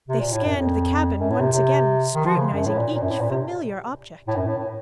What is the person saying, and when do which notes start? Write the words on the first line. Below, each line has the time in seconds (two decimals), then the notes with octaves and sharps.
They scanned the cabin once again, scrutinizing each familiar object.
0.09 C3
0.20 A#2
0.33 A2
0.45 F#2
0.57 F2
1.20 F#2
1.30 A2
1.40 C3
1.52 C3
2.15 D#3
2.26 F3
2.36 C#3
2.54 F#2
2.66 A2
2.78 A#2
2.94 A#2
3.02 F#2
3.10 A2
3.21 A#2
3.31 C3
4.28 A2
4.36 F#2
4.46 A2
4.58 A2